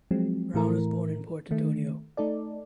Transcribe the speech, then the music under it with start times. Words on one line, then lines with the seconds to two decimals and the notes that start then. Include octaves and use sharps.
Brown was born in Port Antonio.
0.11 F3 F#3 G#3 C4
0.54 A2 E3 A3 E4 A#4
1.51 D#3 A3
2.17 A3 D#4 A4 D5